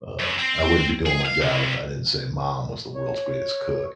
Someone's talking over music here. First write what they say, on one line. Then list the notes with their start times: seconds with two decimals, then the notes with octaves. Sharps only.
Uh, I wouldn't be doing my job if I didn't say mom was the world's greatest cook.
0.19 F#2
0.38 C4
1.06 G#4
1.25 F5
1.41 C2
2.95 C#5